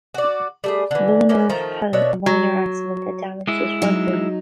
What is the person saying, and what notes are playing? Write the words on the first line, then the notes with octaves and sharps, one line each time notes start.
Villeneuve had a minor accident that damaged his front wing.
F#4 D5
G3 A3 G#4
D3 E3
A#3 B3 C#4
D#3 F3 A3 A#5
B2 D4 C#5 E5
F#3
G#3 E4
F#3 D#4